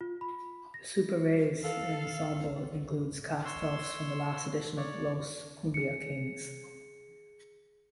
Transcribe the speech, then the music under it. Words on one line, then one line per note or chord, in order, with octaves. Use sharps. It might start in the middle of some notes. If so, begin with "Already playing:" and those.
The Super Reyes ensemble includes cast-offs from the last edition of "Los Kumbia Kings".
F4
B5
A#6
A4 F5
C#5 C6 E6
C#5 D5
G#4 C#7